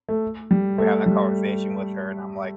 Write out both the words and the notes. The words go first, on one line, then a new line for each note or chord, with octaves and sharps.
we had that conversation with her and I'm like,
A3
G3
A3
G3